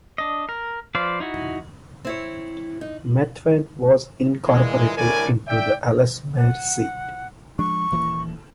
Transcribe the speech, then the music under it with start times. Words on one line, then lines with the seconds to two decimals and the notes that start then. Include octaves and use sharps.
Methven was incorporated into the Ellesmere seat.
0.18 D4 D#5
0.49 A#4
0.95 F3 B4 C5 D5 F5
1.20 D#4 E4 F#4
2.05 C4 E4 C#5
2.81 D#4
4.46 A#2 E3 G#3
4.97 C2 A2 D3 A#4 D5 G#5
5.48 D5 E5 G5
6.37 F#5
7.59 F3 G#3 D4 C#6
7.92 D#1 E3 A#3